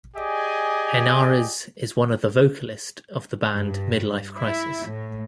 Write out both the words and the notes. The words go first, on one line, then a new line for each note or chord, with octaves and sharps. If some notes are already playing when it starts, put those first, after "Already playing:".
Henares is one of the vocalist of the band Midlife Crisis.
G4 G#4 D5 D#5 G#5
G2
E4
A2